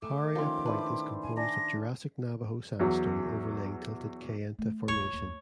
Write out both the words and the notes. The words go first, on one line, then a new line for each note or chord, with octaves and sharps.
Paria Point is composed of Jurassic Navajo sandstone overlaying tilted Kayenta Formation.
A3 D6
D#3 F3 C#4 G5 C6
D4 E4 B4 C5
G#5
D4 G#5 A#6
E2 F#3
A3
D#1 F4 C#5
D#2